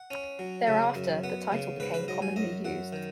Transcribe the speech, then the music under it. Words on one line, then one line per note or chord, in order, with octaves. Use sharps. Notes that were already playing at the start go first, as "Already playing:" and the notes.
Thereafter, the title became commonly used.
Already playing: F#5
C#4
F#3
C#3
F#2
B3 F#5
C#3
G#2 B4
B4
F#3 D#5
G#5
F#2 D#5
F#2 F#5
D#3